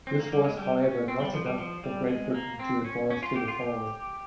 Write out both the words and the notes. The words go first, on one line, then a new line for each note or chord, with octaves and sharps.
This was however not enough for Great Britain to advance to the final.
C4
A#3
G3
G#3
G3
C#4
C4
G3
F3
G3
F3
G3
G#3
A#3
C4
C#4
C#4
F4
G4
F4
G4